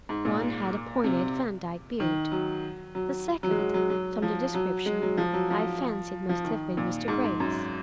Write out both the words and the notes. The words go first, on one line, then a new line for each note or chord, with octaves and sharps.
One had a pointed Vandyke beard; the second, from the description, I fancied must have been Mr. Graves.
G#2
A#2
C3
D#3
F#3
F#3
F#3
G#3
F#3
F#3
F#3
F3
F#3
G#3
F#3
F3
F#3
F3
F3
D#3
A#2
G#2
G#2
F#2